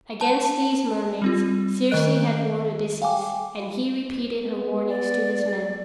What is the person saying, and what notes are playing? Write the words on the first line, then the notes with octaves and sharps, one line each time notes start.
Against these mermaids Circe had warned Odysseus, and he repeated her warnings to his men.
A5
G3 C4 F4
D#3 A3 A#4 D#5 F#6 D7
F5 G5 G#5 D6
B3
D5